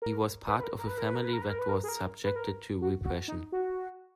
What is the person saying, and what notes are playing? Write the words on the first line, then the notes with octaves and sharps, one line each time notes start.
He was part of a family that was subjected to repression.
A#4
B4
B4
A#4
A#4
B4
A#4
B4
A#4
B4
A#4
B4
A#4
B4
A#4
G#4
A#4
B4
A#4
F#4
F#4
D#4
F#4